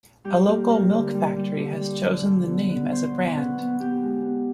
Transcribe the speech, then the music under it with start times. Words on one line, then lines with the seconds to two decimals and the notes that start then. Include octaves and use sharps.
A local milk-factory has chosen the name as a brand.
0.24 G3 G4
0.48 A#3
0.69 G3 A#4
0.91 D3
1.14 G3
1.36 G3
1.58 D3
1.81 G3
2.03 D3
2.25 D3
2.47 B3
2.69 B3
2.92 F#3 C5
3.13 B3
3.36 F#3 B4
3.58 B3
3.80 B3 G4
4.02 G#3
4.24 B3